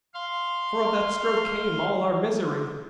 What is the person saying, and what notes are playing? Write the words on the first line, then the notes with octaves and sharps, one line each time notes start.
For of that stroke came all our misery.
F5 C6